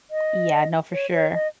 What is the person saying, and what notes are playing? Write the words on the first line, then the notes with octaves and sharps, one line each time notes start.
Yeah, no, for sure.
D#5
C#5
C#5
D#5